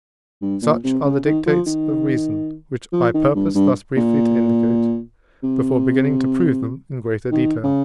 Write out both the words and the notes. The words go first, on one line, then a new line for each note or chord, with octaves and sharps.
Such are the dictates of reason, which I purposed thus briefly to indicate, before beginning to prove them in greater detail.
G2
A#2
C3
C#3
D#3
F3
D#3
F3
D#3
G2
G2
A#2
C3
D#3
C#3